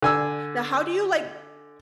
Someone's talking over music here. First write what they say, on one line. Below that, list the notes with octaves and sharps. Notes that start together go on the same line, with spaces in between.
Now how do you, like,
D3 G#5 E6